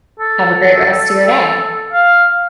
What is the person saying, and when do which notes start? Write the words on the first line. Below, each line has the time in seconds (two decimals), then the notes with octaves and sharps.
have a great rest a your day.
0.20 A4
1.93 F5